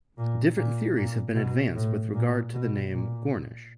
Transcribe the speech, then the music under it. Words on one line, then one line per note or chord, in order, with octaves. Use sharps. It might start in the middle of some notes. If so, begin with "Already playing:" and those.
Different theories have been advanced with regard to the name Gornish.
A#2
A#2
A#2
B2
A2
A#2
B2
A#2